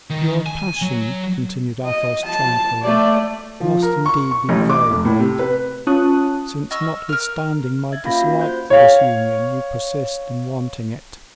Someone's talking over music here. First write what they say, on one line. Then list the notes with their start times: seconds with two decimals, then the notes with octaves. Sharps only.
"Your passion," continued Athos, tranquilly, "must indeed be very great, since, notwithstanding my dislike to this union, you persist in wanting it."
0.10 D#3
0.46 G#5
0.82 F#3
1.85 D#5
2.25 A5
2.83 A3 D5
3.60 F3
3.82 A#4
4.06 C#6
4.31 C#6
4.49 A1
4.70 D6
4.90 F1
5.05 A2
5.19 C3
5.39 B4
5.87 C#4 F4 A5 C#6 D#6 F#6
6.71 D#5 C#6 E6 F6
7.09 A#4 F6
7.92 E5 G#6 A6
8.04 A#3 C#4 F4 F5 B5 A#6
8.20 F#4
8.40 C5 G6
8.70 C#5 F5